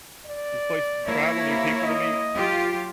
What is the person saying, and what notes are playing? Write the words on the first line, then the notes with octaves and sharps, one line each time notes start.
new places to travel, new people to meet.
D5
A#3 E4 C#5
C3
D#5
F#3 F4 G4